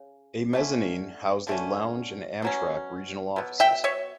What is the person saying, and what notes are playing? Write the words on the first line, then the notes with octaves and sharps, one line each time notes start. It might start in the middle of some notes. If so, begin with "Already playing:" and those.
A mezzanine housed a lounge and Amtrak regional offices.
Already playing: C#3
D3 A3 C#4
D3 A3 C#4
B2 F#3 C#4
B2 F#3
E5 G5
C#5 E5